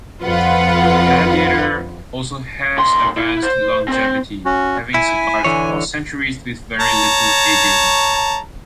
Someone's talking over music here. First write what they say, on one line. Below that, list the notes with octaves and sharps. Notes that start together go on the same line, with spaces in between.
Gladiator also has advanced longevity, having survived for centuries with very little aging.
F2 F4 B4 F#5
D#2 C6
E4
C5
C4 C5
C#4 F#4
E4 G#5
D3 E3 C#5
C#5 A5 A#5